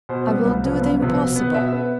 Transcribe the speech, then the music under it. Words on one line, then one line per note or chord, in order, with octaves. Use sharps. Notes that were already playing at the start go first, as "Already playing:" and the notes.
I will do the impossible.
B2 C5
G3 B3
C2
C3 F3 B3
C2
C3 F3 B3
B2
B3
B2 E5
B3